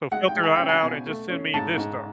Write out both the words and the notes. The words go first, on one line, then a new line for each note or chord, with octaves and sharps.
so filter that out and just send me this stuff.”
G#3 F#5
G5
G#3
G#5
C#4 G5
G#5
B2
A3
C#4
G#2 A5
G#2